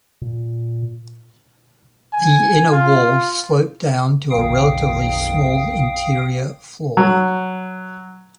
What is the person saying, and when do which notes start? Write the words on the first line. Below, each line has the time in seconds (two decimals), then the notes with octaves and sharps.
The inner walls slope down to a relatively small interior floor.
0.22 A#2
2.13 G#5
2.72 F4
4.31 F#1 B1 D#3 F5 G5 D#6
6.97 F#3